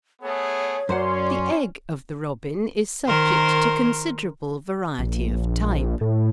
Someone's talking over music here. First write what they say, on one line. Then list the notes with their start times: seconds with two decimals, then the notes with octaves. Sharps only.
The egg of the robin is subject to considerable variety of type.
0.22 A3 B3 G#4 C#5
0.89 F#2 C#4 C5 D5 F#5 C6
3.06 D#3 A#4 C5
4.99 A#1
6.01 A2